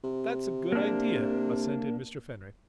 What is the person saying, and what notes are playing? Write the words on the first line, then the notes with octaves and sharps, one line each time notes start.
"That's a good idea," assented Mr. Fenwick.
C3
A#3 D4